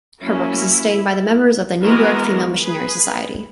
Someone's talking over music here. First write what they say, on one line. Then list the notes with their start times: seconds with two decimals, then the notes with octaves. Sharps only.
Her work was sustained by the members of the New York Female Missionary Society.
0.22 F#3 A#3 C#4 E4
1.82 E3 G#3 B3 F#4 A#4
2.61 G#4 B4